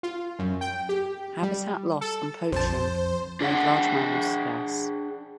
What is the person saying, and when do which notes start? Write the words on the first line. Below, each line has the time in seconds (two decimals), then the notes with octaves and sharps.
Habitat loss and poaching have made large mammals scarce.
0.03 F4
0.39 F#2
0.61 G5
0.89 G4
1.43 G3
2.01 A4
2.53 A#1 F2 C5 A5
3.40 D4 G#4 F#5 G5